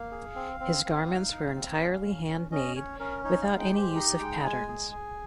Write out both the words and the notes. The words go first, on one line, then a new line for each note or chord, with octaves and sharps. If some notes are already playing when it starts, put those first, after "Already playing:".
His garments were entirely handmade without any use of patterns.
Already playing: A#3 F5
G#4
C4
C4
C4
D#4
D#4
C4
C#4
C#4
C#4
C#4 D#5
C#4 C#5
C#4 A#4
D#4 C#5
F5
G#3
G5
G4
C5
D#4 D#5
G#3 G5
G#3 G#5
G#4
G#4